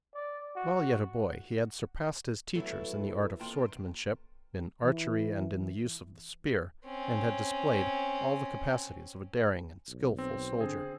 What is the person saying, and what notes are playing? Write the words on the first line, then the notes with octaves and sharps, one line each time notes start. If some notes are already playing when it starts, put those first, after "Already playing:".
While yet a boy he had surpassed his teachers in the art of swordsmanship, in archery, and in the use of the spear, and had displayed all the capacities of a daring and skillful soldier.
D5
F#4
E3 F#3 A3 B3 E4 A4
E2 C3 A#3 F4 G5 A5
E3
C4 C#4
B1
C4
D3 C4 G#4